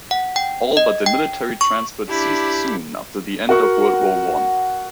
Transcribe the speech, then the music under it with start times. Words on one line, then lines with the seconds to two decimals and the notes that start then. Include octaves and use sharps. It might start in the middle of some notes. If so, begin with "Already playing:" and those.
All but the military transport ceased soon after the end of World War One.
0.11 F#5
0.36 G5
0.77 D#5
1.06 G5
1.61 C#6
2.08 D4 E4 G4
3.49 F#4 A#4 F#5 C#6